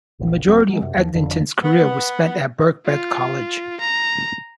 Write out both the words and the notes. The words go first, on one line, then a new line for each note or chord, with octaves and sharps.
The Majority of Edgington's career was spent at Birkbeck College.
D#1 A#1
D#1 F#3 C4
F#3 G#3
F#2 C3
D#2 F3
F1 F2 D3
B3
F4
A#5